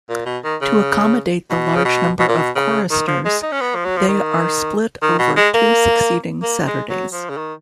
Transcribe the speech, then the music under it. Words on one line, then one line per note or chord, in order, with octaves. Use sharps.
To accommodate the large number of choristers, they are split over two succeeding Saturdays.
A#2
B2
D#3
C#3
B2
C#3
B2
B2
A#2
B2
C#3
D#3
F3
G#3
D#4
C#4
B3
F3
F#3
F3
D#3
D#3
B2
G#3
A#3
A#3
G#3
F#3
F3
C#3
D#3